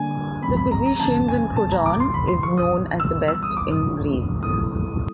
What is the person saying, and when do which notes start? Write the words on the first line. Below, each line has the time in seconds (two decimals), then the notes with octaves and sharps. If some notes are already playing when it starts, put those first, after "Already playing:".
The physicians in Croton is known as the best in Greece.
Already playing: D3 G3 A#3 D4 G#5
0.42 F3 G#3 C4 B5
0.57 B5
0.71 A#5
0.86 A#5
1.00 D3 F3 A#3 C#4 A5
1.28 G#5
1.56 C3 E3 G3 B3 A5
1.71 A#5
1.86 D6
2.00 C6
2.14 D3 F3 A3 B5
2.28 C6
2.43 C#6
2.57 D#6
2.71 E3 G3 B3
3.00 E6
3.28 E3 G3 B3 E6
3.43 D#6
3.57 D6
3.71 D#6
3.85 F3 A3 D4 F4 A4
4.43 G3 B3 E4 A4 D#6